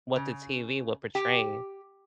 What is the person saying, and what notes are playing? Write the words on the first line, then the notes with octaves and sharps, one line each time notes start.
what the TV would portray.
C#3
G4